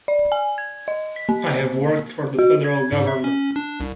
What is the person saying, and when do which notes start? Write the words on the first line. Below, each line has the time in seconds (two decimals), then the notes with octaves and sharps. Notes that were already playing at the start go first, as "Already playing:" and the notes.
I have worked for the federal government.
0.08 D5
0.32 G#5
0.58 G#6
0.88 D#5
1.16 B6
1.29 A#3
2.39 F#4
2.64 G#6
2.92 G#2
3.07 E5
3.24 C#4
3.56 D4
3.80 C2